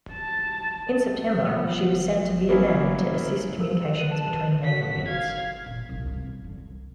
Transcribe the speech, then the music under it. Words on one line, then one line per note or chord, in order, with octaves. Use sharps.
In September, she was sent to Vietnam to assist communications between naval units.
A5
F3 B3
F#3 A#3 B3 C#4 E4
A#4
B4 D#7
A5
F#4 B6
F5 G#6
A#2
C2
G3
D3
C2